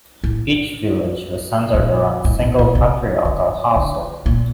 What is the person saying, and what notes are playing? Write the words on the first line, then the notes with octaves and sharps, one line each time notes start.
Each village was centered around a single patriarchal household.
A2
A#2
A2
A2
A#2
C3
D3
D3
A#2